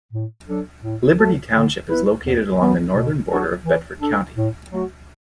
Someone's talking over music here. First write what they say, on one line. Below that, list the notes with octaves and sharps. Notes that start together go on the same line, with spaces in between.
Liberty Township is located along the northern border of Bedford County.
A2
F#3 D4 A4
A2
A3 F#4 A4
D3
B3 E4 B4
E2
E3 B3
B2
F#3 D4 F#4 A4
E3
D4 A4
A2
F#3 A3 F#4